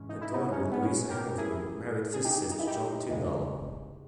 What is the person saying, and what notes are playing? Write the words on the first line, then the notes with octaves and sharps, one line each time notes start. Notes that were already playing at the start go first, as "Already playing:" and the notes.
A daughter, Louisa Hamilton, married physicist John Tyndall.
Already playing: G#2 E3 G#3 C#4
D#4
E4
B3 D#4
C#4
B3
C#4
G4 A#4
E4 G#4
G#4
D#4 G4
D#4
E4
D#4 G4
E2 C#3 G#3